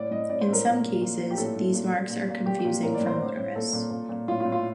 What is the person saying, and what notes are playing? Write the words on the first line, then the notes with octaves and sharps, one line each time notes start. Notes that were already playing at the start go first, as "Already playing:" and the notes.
In some cases, these marks are confusing for motorists.
Already playing: A2 D5
A2 D#5
A2 D5
C5
A2
A#4
A#2
A#2
A#2
A#2
G4
A2 A4
A2
A#2
A#2
A#2
A#2
A#2 G4
G4
A#2
A2 A#4
D5
A2
C5
A2
A2
A#2 A4
A#2
A#2
A#2
A2 F4
F4
A2
F4